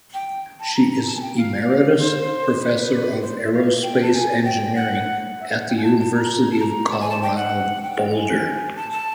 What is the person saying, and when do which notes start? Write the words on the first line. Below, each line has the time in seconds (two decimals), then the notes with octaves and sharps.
She is Emeritus Professor of Aerospace Engineering at the University of Colorado Boulder.
0.14 G5
0.60 A5
0.75 A#5
1.07 A5
1.15 G#5
1.22 G5
1.37 F5
1.99 C5
2.60 B4
3.22 C5
3.37 D5
3.45 E5
3.53 F5
3.83 G5
4.02 A5
4.14 G#5
4.45 G5
4.75 F#5
5.40 E5
5.49 F5
5.58 F#5
5.68 G5
5.77 G#5
5.83 A5
5.99 A5
6.15 A#5
6.51 A5
6.60 A#5
6.91 A5
7.00 G#5
7.10 A5
7.22 G5
7.37 F#5
7.83 G5
8.14 G#5
8.76 A5
8.92 A5